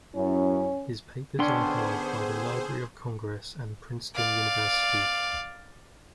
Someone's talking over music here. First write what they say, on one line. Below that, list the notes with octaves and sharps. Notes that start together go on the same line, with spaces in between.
His papers are held by the Library of Congress and Princeton University.
F#2 C#4 E4
D3 B3 C#4 D4 G#4 C5 G5 C6
D5 F5